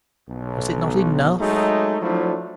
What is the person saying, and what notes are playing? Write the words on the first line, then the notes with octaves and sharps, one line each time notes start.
Was it not enough?
B1
F#3 G#3 A3 D#4
F3 F#3 A3 D4 E4